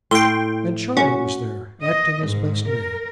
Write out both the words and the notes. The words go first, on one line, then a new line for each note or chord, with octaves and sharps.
And Charley was there, acting as best man.
A2 G5 C6
C#4 F#4
D#5
G#2
A#4